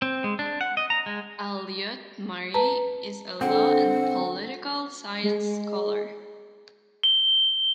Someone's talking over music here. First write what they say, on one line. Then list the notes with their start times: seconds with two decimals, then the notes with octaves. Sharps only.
Alliot-Marie is a law and political science scholar.
0.02 C4
0.24 G#3
0.39 D4
0.61 F#5
0.77 D#5
0.90 A#5
1.06 G#3
2.54 B4 A5 A#5
3.41 F2 D3 G#3 C4 F#5
5.23 G#3
7.03 G7